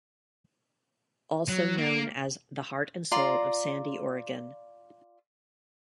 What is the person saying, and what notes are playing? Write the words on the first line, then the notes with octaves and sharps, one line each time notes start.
Also known as 'The heart and soul of Sandy Oregon.
F#3
A#3
F4 D5 A#5 C6